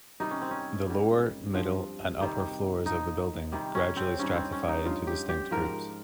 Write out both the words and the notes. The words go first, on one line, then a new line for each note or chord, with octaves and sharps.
The lower, middle, and upper floors of the building gradually stratify into distinct groups.
C3 D#3 G3 D#4
C#4
C4
C#4
G#2 G3
G2 F3
C3 D#3 G3
A#2 F3 D#4
C3 D#3 G3
C#4
C4
G2 D#3 G3 C#4
C4
C#4
D#4
G2 F3 F4
G4
G4
G#2 F3 A#4